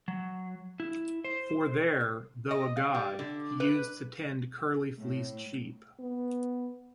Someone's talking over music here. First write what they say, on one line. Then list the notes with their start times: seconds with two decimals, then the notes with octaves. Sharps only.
For there, though a god, he used to tend curly-fleeced sheep.
0.08 F#3
0.80 E4
1.24 C5
2.51 D#5
2.77 F5
2.95 G3
3.19 D3
3.60 B4
4.98 A2
6.00 B3